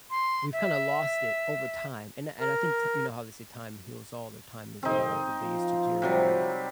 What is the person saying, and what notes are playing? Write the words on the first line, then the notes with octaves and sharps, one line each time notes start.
we've kind of lost it over time, and I and I think t you know how they say time heals all, that time is, you know, like the biggest deteriorator of
C6
E5
A#4
F2 C3 D#3 C4 D#4
F3 F4
C3 F#3 G3